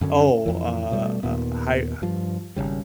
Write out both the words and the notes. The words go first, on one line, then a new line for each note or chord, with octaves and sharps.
Oh, uh, a hi h
F#2 D3 C4 C#4
F2 E3
B2 G3 A3
D#2 A#2 B3
G2 F3
G#1 E2 C#3 G3